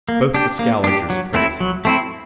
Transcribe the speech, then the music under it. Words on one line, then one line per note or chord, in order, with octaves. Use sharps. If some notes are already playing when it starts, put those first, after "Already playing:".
Both the Scaligers praise him.'
A#3
D4 G4
A#3
D4 G4
F#3
A3 C4 E4
F#3
A3 C4 E4